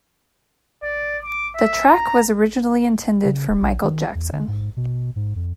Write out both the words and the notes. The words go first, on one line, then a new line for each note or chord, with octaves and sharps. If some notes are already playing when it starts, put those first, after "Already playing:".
The track was originally intended for Michael Jackson.
D5
D6
E5
A#5
C#3
D#1
A#1
D#3
E2
D3
G#2
B2
G#2
F2